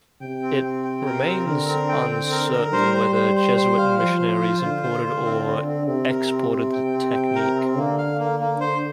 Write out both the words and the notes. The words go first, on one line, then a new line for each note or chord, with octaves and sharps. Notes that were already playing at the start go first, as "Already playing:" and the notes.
It remains uncertain whether Jesuit missionaries imported or exported the technique.
C3 G5
C4
C4
G5
A#4
C4
D3 A#4
C4
G5
C4
A#4
A#4
G3 C5
C5
C5
C5
C5
F5
F3 C5
C5
F4
D3 F4
C5
F4
C4
C4
C4
C3 C4
A#4
C4
C4
G5
C4
G5
A#4
C4
D3 A#3
F5
A#3
A#3
C5